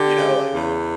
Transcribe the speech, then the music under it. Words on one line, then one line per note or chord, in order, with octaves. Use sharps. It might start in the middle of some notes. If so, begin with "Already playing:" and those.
you know, like,
Already playing: D3 G4
C#3
E2